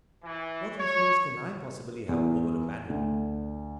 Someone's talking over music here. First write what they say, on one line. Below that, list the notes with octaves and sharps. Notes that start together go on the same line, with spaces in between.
"What influence can I possibly have over a bandit?"
E3
C#5
E2
D2